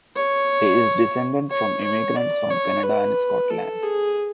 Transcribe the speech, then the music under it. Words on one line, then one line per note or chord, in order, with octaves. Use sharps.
He is descended from immigrants from Canada and Scotland.
C#5
C#5
C#5
D5
C#5
B4
A4
G#4